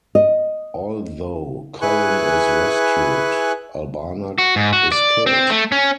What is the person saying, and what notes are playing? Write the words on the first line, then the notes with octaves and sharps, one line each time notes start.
Although Colin is rescued, Albanac is killed.
D#5
E4 G#4 B4 G#5 C#6 F#6
F#4
G#2
F#4
D5
C4
A3
C#4